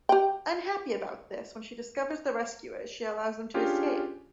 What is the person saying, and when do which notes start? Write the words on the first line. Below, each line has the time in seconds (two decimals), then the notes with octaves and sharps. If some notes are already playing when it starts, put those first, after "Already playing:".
Unhappy about this, when she discovers the rescuers, she allows them to escape.
0.09 G4 G5
3.54 C#4 D4 F4 G4 G#4